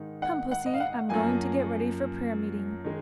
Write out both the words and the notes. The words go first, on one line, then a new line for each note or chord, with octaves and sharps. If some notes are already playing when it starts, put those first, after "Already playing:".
Come, pussy, I'm going to get ready for prayer meeting.
Already playing: G#2 D#3 G#3 D#4
F#5
F#5
D#5
F5
F#5
F#2 F3 A#3 G#5
D#3 G#3